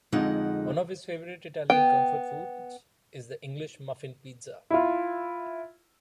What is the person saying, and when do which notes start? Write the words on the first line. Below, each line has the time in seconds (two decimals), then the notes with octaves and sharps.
One of his favorite Italian comfort foods is the English muffin pizza.
0.12 F2 D3 G#3 D#4 F#5
1.70 B3 G5
4.70 E4 F4